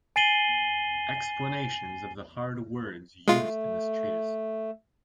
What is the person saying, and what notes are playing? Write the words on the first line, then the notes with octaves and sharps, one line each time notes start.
Explanations of the hard Words used in this Treatise.
G#5 A6 C7 D#7 F#7 G7
G#3 A3 F4